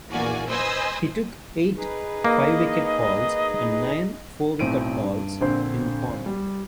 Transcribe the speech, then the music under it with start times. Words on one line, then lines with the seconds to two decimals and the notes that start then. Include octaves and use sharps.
He took eight five-wicket hauls and nine four-wicket hauls in the format.
0.12 A#1 E2 A#3 F#4 D5 G#5
0.49 B4 C5 D#5 G#5 E6
1.76 D#4 G#4 B4
2.25 A#3 D#5
4.59 B1 A2 C4 D7 D#7
5.02 G2
5.41 A#1 D3 C4 C5
6.26 G3